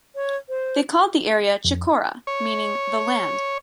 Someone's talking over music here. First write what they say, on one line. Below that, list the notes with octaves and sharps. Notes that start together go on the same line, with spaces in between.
They called the area "Chicora", meaning "the land".
C#5
C5
F2
C#5